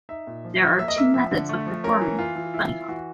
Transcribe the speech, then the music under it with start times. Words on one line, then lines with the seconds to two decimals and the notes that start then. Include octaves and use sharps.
There are two methods of performing a bunnyhop.
0.09 D#4 E5
0.27 A#2
0.44 F3
0.61 F3
0.79 A#3 E5
0.88 D#5
0.96 A#3 E5
1.14 F3 E5
1.31 D3
1.49 A3
1.66 F3
1.84 C#4 A#4
2.01 E3
2.19 E3 F4
2.36 E3
2.54 E4
2.71 E3
2.88 E3 F#4